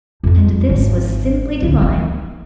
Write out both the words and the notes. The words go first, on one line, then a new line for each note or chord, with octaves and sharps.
And this was simply divine.
F2 D4
G#1
D1 D2
A#3 B3